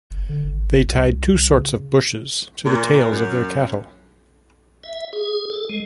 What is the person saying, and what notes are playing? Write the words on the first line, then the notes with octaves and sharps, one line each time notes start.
They tied two sorts of bushes to the tails of their cattle.
F#1
D3
G#1
G1
C2
C2
C2
C#3
A#2
F#2
E5
G#4
A4
G#3